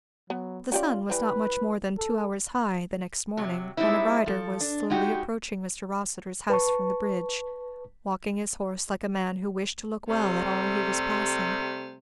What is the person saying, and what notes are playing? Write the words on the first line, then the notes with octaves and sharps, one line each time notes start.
The sun was not much more than two hours high the next morning when a rider was slowly approaching Mr. Rossitur's house from the bridge, walking his horse like a man who wished to look well at all he was passing.
F#3 B3
C#4 F4 G4 D5
E3 G3 B4
A4
C3 F#3
G3 G#3 C4 D#4 E4
F3 A4
D4
G#3 D#4 F#4 G4
B4 A5 C#6
C3 G3 A3